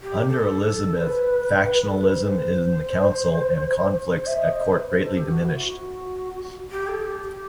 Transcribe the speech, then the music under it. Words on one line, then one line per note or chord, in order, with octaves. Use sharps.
Under Elizabeth, factionalism in the Council and conflicts at court greatly diminished.
G4
A4
C5
B4
A4
B4
C5
C5
E5
D#5
C5
B4
C5
C5
A4
G4
F#4
E4
F#4
F#4
G4
A4
G4
G4